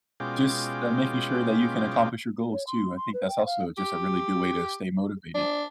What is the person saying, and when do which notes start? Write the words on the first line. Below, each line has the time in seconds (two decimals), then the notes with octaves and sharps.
just, uh, making sure that you can accomplish your goals too. I think that's also just a really good way to stay motivated.
0.20 B2 G#3 C#4 F4 G5 D6
2.53 C#5
2.67 C6
2.97 C6
3.14 B4
3.28 G5
3.46 F5
3.78 G4
5.35 D4